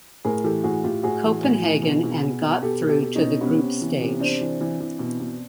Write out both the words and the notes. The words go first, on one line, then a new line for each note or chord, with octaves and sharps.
Copenhagen and got through to the group stage.
A2 G#4 A#4
E3 G4 A4
A2 F#4 G#4
A2 F4 G4
A2 F#4 G#4
E3
A2
E3
B2
B2
B2
B2
B2 G4 A4
B2
G4 A4
B2
C#4 D#4
B2
C3 B3 C#4
C3
E3
C3
C3 C4 D4
E3
E3
E3
B2
B2